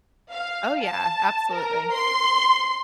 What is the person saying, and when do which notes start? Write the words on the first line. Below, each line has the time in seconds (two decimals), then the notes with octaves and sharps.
Oh, yeah, absolutely.
0.31 F5
0.82 A5
1.52 A#4
1.93 C6